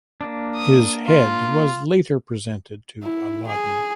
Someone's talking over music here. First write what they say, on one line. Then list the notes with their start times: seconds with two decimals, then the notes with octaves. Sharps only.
His head was later presented to Alauddin.
0.21 A#3 D4
0.56 D#6
1.05 F4
3.03 E4
3.47 G#4